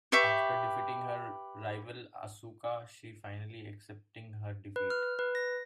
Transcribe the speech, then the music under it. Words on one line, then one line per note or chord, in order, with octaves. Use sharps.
After defeating her rival Asuka, she finally accepting her defeat.
G4 B4 E5 C#6
B4
F6
B4
A#6